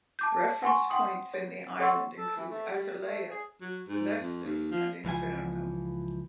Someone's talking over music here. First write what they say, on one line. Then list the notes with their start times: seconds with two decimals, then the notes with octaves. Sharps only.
Reference points in the island include Atalaia, Leste and Inferno.
0.19 A5 D6 G6
0.34 A5
0.63 F#5 G#5 C6 C#6
0.90 F#5 G5 C6 D#6
1.34 C#5
1.79 A4 C#5 F#5 C6 C#6 E6
2.18 A4
2.37 E3
2.50 A3
2.72 G3
3.05 A3
3.30 G#4
3.61 F#3
3.88 G#2
4.20 F2
4.44 D#2
4.71 F3
5.05 C#2 E3 F3 G#5